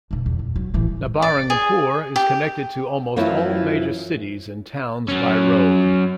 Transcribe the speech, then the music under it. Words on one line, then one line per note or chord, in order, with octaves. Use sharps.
Nabarangpur is connected to almost all major cities and towns by road.
F2 B2
E2
A#2
F#3
A1 E3
D5
G#4
G4
F#2 E3 F3 C#4 E4
F#3 C#4